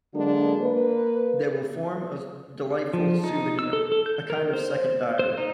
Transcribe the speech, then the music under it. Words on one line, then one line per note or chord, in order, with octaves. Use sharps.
They will form a delightful souvenir, a kind of second diary.
D3 F#3 G#3 A#3 D4
A#3 B4
F3
D#4
E6
A4
A4
G6
A#4
C5
C5
D#4